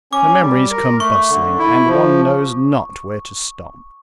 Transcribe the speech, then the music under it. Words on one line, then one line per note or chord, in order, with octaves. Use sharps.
The memories come bustling, and one knows not where to stop.
C#4 D6
G3
A#4
A3 C#6
D3
E4
F3